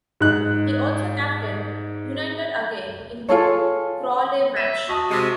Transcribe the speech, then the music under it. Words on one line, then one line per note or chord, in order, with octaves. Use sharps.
He also captained United again in the Crawley match.
G#2 F#6
F4 G#4 A4 C#5
E5 B6 D#7 E7
F#4 D#5 A5 D#6
C3 G#3